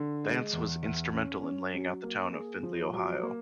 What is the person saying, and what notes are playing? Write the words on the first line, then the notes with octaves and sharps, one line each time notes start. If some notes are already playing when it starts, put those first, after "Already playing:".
Vance was instrumental in laying out the town of Findlay, Ohio.
Already playing: D3
G#3
E2
E2
C#4
C#4
F#3
A#3
G#4
F3
F#3
A#3